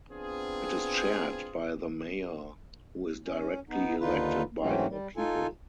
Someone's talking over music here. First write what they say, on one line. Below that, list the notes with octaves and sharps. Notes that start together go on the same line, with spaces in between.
It is chaired by the mayor, who is directly elected by the people.
B3 C4 D4 F4 G#4
C#4
B3 D#4
D#2 D3 D#4 F4 B4
G#2 E3 F#3 A3 C4 C#4
G3
D#4 F4 A4 G#5